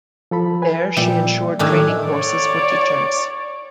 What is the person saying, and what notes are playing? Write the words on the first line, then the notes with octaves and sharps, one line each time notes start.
There she ensured training courses for teachers.
F3 A4 B5
B4 G#5
A#2 F3 G3 E5
A2 D#3 D4 G#5 E6 G#6
C#5 D5